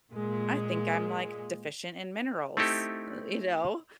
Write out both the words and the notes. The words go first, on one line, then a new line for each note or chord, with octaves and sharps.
I think I'm, like, deficient in minerals, uh, you know?
A#2 G#3
A3 C4 D#4 E4 G4 A4